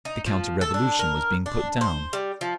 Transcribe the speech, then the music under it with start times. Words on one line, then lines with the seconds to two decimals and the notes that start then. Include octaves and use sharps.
The counter-revolution was being put down.
0.05 D#4
0.26 F3
0.61 A4
0.74 D4
0.99 A#4
1.46 D4
1.81 C5
2.13 G3
2.41 F3